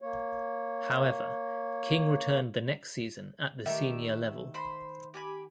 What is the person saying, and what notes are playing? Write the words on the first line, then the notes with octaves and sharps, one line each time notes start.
However, King returned the next season at the senior level.
A#3 C#5
D#3 A3 G4 E5
C5 B5 C6
G4 G#5 B5